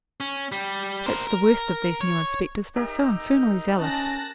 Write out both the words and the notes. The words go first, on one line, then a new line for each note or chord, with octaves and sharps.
That's the worst of these new inspectors, they are so infernally zealous.'
C#4
G3
A#4 C5
A#4
C#5
D#4 G4 A#4 E5
C#4 A5 F#6 A#6